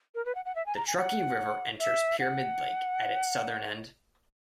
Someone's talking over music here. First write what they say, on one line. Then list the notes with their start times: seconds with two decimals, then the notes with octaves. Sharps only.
The Truckee River enters Pyramid Lake at its southern end.
0.15 A#4
0.25 B4
0.35 F#5
0.45 F#5
0.55 E5
0.66 G#5
0.76 A#5
0.87 G#5
0.96 F#5
1.79 E5
2.20 F#5